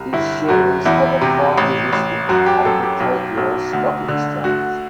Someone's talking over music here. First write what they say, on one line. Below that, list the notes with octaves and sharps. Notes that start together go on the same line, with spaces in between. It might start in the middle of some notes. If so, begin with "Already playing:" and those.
Its shares have a primary listing on the Tokyo Stock Exchange.
Already playing: C2
G1 E4
F#2 F#4
E2 E4
C3
A1
A1
F#2 F#4
G4
F#2 A4
G4
B1
B1
D2
D3
D2 F#4